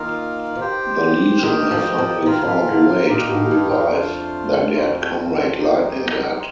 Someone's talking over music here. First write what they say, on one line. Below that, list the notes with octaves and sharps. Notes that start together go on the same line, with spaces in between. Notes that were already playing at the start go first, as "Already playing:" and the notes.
The Legion have finally found a way to revive their dead comrade Lightning Lad.
Already playing: D#3 A#3 F4 A#4 F5
F3
D#3 G4 C5 G5
D#3 G4 A#4 D#5 G5
F3
F3
F3
D#3 F4 A#4 F5
D3
C3
D3
C3
A#2 D#4 G4 A#4 F5
A2
G2
F2
A3 D4 F4 C5 F5
F2 A3 C4 F4
D#4 G4 C5